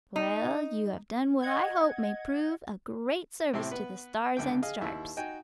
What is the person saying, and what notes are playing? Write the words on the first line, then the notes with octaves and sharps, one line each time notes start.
Well, you have done what I hope may prove a great service to the Stars and Stripes.
D#4
D#5 F#5 G#6
A2 C3 C4 E4 E5 C6
B3 B4
C#2 D3 G5
G#4 D#5 F5
D#2 E4 E5
D#4 F#4 G5 G#5